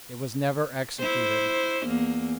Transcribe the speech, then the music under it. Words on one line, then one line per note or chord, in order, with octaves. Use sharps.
"It was never executed."
E4 C5
E2 A#3